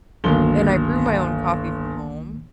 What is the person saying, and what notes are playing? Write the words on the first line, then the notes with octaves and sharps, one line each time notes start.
And I brew my own coffee from home.
G1 C2 D#3 F#3 A#3 G7